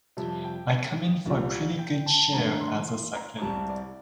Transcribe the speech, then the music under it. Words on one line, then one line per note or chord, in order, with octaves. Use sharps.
I come in for a pretty good share as a second.
F2 C3 G3 A5
G5
C2 A#2 G3
G5
A5
G2 D3 A3 A#5
C6
C6
A#5
C2 C3 G3 A5
D5